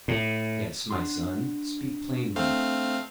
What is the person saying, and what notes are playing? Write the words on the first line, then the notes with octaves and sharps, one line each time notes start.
"Yes, my son, speak plainly."
A2
D4 F#5 C6
A3 C4 F5